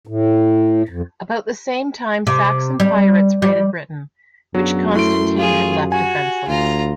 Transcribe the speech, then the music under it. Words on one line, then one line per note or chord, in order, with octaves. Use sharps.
About the same time Saxon pirates raided Britain, which Constantine had left defenseless.
A2
F2
C3
G3
G3
F#2 F#3 B3 D4 G#4
A3 C#4 E4 F#4 C6 D7
F4 G4 G#4
F#4 G#5
D2 F4 A#5